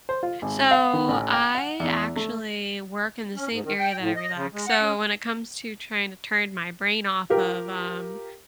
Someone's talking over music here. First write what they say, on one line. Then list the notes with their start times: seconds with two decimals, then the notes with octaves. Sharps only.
So, I actually work in the same area that I relax. So, when it comes to trying to turn my brain off of, um,
0.09 C5
0.23 F4
0.42 G#1
0.71 F5
0.93 D#3
1.08 A1
1.34 G5
1.55 F#5
1.80 E2
2.16 A3
3.35 C#4
3.50 G#2
3.64 D#3
3.78 G5
4.00 A2
4.15 D#5
4.35 C#3
4.53 G#3
4.66 F#5
4.81 C#4
7.30 F4 G4 A#4